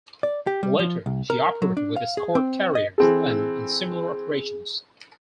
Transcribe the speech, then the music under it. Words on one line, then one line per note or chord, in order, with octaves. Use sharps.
Later, she operated with escort carriers and in similar operations.
D5
G4
G3
F3
C2
A#4
F#3
D4
F5
G#4
C4
D#5
E3 C4 G#4 A4